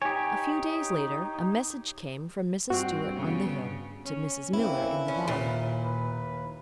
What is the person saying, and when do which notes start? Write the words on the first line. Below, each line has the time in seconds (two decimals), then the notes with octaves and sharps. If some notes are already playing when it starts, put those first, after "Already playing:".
A few days later a message came from Mrs. Stuart on the hill to Mrs. Miller in the valley.
0.02 D#4 G4 C#5 G#5
2.70 G2 C4 F#4
3.16 C#3 B3
4.05 C#4
4.53 A#3 C4 C#4 E4 B4
5.08 D#2 C#4
5.28 A#2
5.83 B4